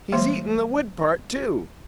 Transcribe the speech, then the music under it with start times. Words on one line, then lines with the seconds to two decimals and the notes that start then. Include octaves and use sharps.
He's eatin' the wood part, too!
0.12 E3 G3 G#3 A#3 C5 C6